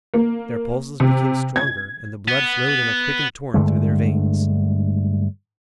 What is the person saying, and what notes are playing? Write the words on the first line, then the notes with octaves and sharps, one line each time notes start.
Their pulses became stronger, and the blood flowed in a quickened torrent through their veins.
A#3
C3
G#6
B3
G2 D3 G#3 A3